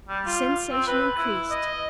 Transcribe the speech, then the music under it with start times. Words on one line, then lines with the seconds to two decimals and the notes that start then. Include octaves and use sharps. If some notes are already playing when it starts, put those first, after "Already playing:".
The sensation increased.
0.09 G3
0.26 F4
0.72 C4
0.87 B4
1.18 E4
1.50 D#5